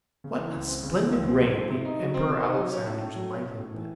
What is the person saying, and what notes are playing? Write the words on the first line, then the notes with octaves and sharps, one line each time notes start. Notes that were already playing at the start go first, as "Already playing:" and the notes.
"What a splendid reign the Emperor Alexander's might have been!"
C#3
E3
C#2
C4
C#3
E3
C#2
C4
F#3
C4
C3
D#4
F#3
C4
C3
D#4
F#3
C#4
A2
A2
F#3
C#4
A2
A2
E3